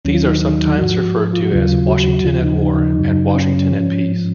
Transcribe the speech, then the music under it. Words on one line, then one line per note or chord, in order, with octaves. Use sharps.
These are sometimes referred to as "Washington at War" and "Washington at Peace".
D#2 D#3 F#3 C#4
F4
D#4
D#4
G#2 F3 F#4
G#4
F4
F#4
D#2 C#3 F#3 F4
F#4
D#2 C#3 F3 F4
D#4
D#4
F#2 C#3 F#3
C#4
G#2 F3